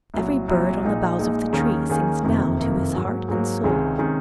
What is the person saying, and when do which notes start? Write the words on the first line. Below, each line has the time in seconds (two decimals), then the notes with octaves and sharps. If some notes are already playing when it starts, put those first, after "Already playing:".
Every bird on the boughs of the tree sings now to his heart and soul.
0.14 C2 A#2 F#3
0.48 C2 A#2 F#3
0.83 A#1 A#2 G#3 D#4
1.18 A#1 A#2 G#3 D#4
1.53 D#2 D#3 A#3 C#4 G#4
1.88 D#2 D#3 A#3 C#4 G#4
2.23 F#1 F2 C3 D#3 A#3
2.59 F#1 F2 C3 D#3 A#3
2.93 G#2 F#3 A#3
3.28 G#2 F#3 A#3
3.64 C#2 C3 D#3 G#3 C#4
3.98 C3 D#3 G#3 C#4